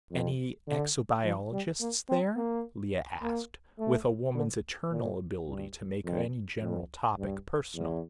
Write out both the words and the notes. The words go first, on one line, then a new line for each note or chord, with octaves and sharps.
"Any exobiologists there?" Lea asked, with a woman's eternal ability to make any general topic personal.
F2
D3
F3
G3
A#3
C4
A#3
A#3
A3
D3
A#2
G2
F2
F2
G2
E2